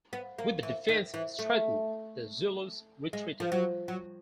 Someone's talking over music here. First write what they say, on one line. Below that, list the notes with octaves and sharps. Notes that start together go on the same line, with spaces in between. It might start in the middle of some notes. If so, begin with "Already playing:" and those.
With the defense strengthened, the Zulus retreated.
B3
A#3
E3
D#3
E3
A3
G#3
F3
F#3
F#3